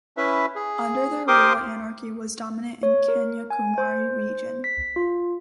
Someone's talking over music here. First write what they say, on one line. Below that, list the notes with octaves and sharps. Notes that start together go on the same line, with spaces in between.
Under their rule anarchy was dominant in Kanyakumari region.
C#4 E4 B4 E5
G#4
G4 A#4 C5 C6 D6 D#6
C#5
A#4
G#5
C5
B6
F4